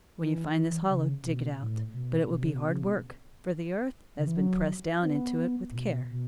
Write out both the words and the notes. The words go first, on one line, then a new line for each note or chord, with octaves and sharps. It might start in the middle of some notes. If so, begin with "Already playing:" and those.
When you find this hollow dig it out; but it will be hard work, for the earth has been pressed down into it with care.
E3
E3
C#3
B2
A2
B2
B2
C#3
B2
C#3
B2
C#3
E3
F#3
C#4
B3
A2
B2
B2